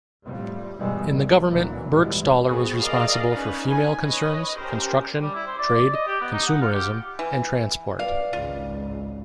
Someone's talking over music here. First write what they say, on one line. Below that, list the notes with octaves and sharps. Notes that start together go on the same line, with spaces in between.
In the Government Burgstaller was responsible for female concerns, construction, trade, consumerism, and transport.
F2 A2 G3
G2 B2 D#3 E3 G3 G#3
A#1
G#1 D2 A#2 E3 F#3
A#1 G#2 E3 G3 G#3
B3 C4 F#4 G#4
G#4 A#4 D5 D#5 F5
C#4 D#4 B4
G#5
B4 C#5 D#5
C#4 G4 A#4 C5
G3
E4
C5
D5
D5
D#5
G4
B3
D#4
F#5
F4
G4
E3
B4 D5 F5
G#1 C#2 F4